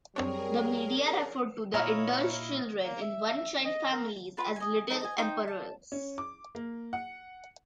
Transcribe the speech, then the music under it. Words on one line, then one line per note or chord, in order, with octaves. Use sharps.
The media referred to the indulged children in one-child families as "little emperors".
F#2 G3 C4 D4 G#4 A#4 C#5
A#2 E4 C#5 D#5 F5 A#5 F6
A#3
E5
D#5
A#4
F4 B4 A5
D#5 G#5
D#4 G#4 A4
D#5 G#5
D#4 C5 G5
A5
C#4
D6
A#3
F#5